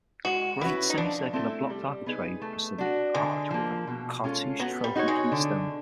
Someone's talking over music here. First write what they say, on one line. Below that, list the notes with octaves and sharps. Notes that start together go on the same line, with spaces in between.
Great, semi-circular, blocked architrave proscenium arch with cartouche- trophy keystone.
G#3 F#4
C#4 E4 F#4 B4
D#4
F3 D4
A3 C4 E4 A4
G3
B3 D#4 G#4 B4
A3
D4 F#4
D3 G#3
F3 A#3
B2
G#3 C#4 F4 A4
F#3 B3
G3
D#4 F#4 A4 C#5
G#3
D3